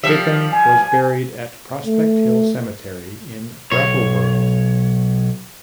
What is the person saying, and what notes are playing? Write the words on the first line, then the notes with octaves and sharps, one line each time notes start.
Chapin was buried at Prospect Hill Cemetery in Brattleboro.
F3 G3 E5
G#5
A3
B1 C#5